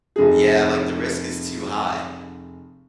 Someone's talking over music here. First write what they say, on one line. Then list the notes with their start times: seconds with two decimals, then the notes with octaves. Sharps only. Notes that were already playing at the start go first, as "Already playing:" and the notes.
yeah, like, the risk is too high.
0.16 F1 G#4